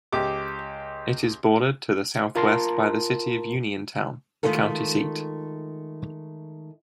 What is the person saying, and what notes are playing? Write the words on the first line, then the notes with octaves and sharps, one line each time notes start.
It is bordered to the southwest by the city of Uniontown, the county seat.
C#2 G4 D6
F4 A#4 A5 A#5 C6
D#3 E3 G#3 A3 F4 A4